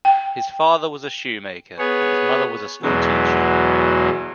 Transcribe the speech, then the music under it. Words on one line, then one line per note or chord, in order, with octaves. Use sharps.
His father was a shoemaker and his mother was a schoolteacher.
G5
B3 G#4 C#5
E2 B2 F#3 G#3